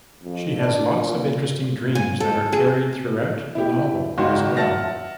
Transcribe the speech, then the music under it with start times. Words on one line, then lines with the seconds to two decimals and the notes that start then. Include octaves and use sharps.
She has lots of interesting dreams that are carried throughout the novel as well.
0.23 F2
0.57 D4
0.97 A#2
1.95 G#5
2.20 A4
2.52 G#4
3.55 E4 G4
4.18 G#1 C#2 D#3 F#4 C6
4.57 E5 F#5 A5 F6 A6 A#6